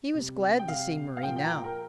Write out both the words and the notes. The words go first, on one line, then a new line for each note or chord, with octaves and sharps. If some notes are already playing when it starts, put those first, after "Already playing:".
He was glad to see Mari now.
C3 G3
G5
C3 G3 F5
F5
A#2 F3 G5
G5
A#5
G5
A#4